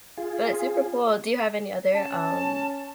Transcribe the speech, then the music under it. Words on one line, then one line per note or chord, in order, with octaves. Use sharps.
but super cool. Do you have any other, um,
F4 G#4
C#4 A5